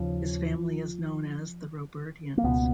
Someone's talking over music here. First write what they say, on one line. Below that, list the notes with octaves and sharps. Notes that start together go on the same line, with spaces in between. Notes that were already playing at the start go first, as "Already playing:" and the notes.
His family is known as the Robertians.
Already playing: D#2 C#3 F3
A#3
C#2 B2 B3